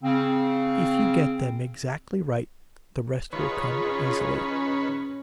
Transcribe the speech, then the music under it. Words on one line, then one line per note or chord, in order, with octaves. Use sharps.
If you get them exactly right the rest will come easily.
C#3 C4
D#3 F4 G#4 B4 C#5
C#4